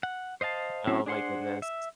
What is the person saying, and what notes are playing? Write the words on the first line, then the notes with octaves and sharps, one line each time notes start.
Oh my goodness.
F#5
C5 D#5 F5 A5
F#3 C4 C#4 E4 F#4
D4 G#4 C5 F#5 C6
E5